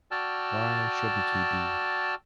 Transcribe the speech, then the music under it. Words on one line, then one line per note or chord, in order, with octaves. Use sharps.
Why shouldn’t he be?
F#4 D5 G5 A5 E6 F6